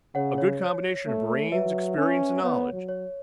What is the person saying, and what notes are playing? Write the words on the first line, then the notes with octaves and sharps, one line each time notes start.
A good combination of brains, experience and knowledge.
C#3 C#5 F#5
C#5
C#5
A3
F#3 B4 E5
C#4
B3 C#5
F#3
C#5